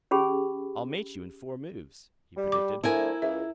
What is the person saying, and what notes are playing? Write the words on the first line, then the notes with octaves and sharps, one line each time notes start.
"I'll mate you in four moves," he predicted.
C#4 G4 G#4 B5
G3
D6
D3 F3 A3 E4 A#4 G#5
C#2 E5